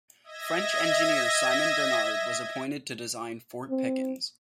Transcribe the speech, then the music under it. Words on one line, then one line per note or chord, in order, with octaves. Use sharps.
French engineer Simon Bernard was appointed to design Fort Pickens.
D#5 E5 G#6 A#6
C4